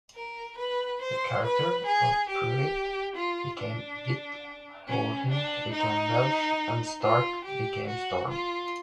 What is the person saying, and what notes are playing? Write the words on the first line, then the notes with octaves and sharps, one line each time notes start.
The character of Prewitt became Witt, Warden became Welsh and Stark became Storm.
A#4
B4
C5
B4
G#4
G4
F4
D4
C#4
D4
D#4
F4
G4
F#4
F4